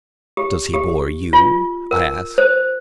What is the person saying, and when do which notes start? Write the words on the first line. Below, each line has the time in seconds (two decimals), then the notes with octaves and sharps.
"Does he bore you?" I asked.
0.37 G4
0.74 G4
1.33 F4
1.91 A#4
2.38 C5